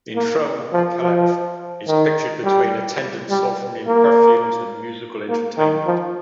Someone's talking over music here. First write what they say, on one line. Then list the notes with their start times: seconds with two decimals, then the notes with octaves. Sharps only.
The enthroned caliph is pictured between attendants offering him perfumes and musical entertainment.
0.16 A#3
0.73 F3
1.02 F3
1.87 D#3
2.44 G3
3.30 G3
3.87 A#3
5.29 A#3
5.58 D#3
5.86 F3